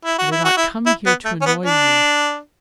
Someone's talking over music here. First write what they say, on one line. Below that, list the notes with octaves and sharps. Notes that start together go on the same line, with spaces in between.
I did not come here to annoy you.
E4
F#4
E4
F#4
E4
E4
B3
A3
C#4
B3
D4